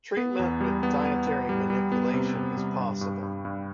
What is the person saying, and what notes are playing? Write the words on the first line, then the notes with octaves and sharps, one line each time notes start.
Treatment with dietary manipulation is possible.
B3
E2
G3
B3
B3
B3
G3
G3
B3
C3
C3
G3
G2
G2
G2
G2